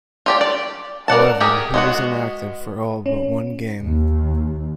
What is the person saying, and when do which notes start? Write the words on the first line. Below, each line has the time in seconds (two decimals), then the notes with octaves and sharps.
However, he was inactive for all but one game.
0.26 F4 G4 D5
0.41 D5
1.08 A#4 D5 F#5 A5
1.41 G4 G#4 A#4
1.74 G#3 B3 F#4
3.06 C#4
3.83 D#2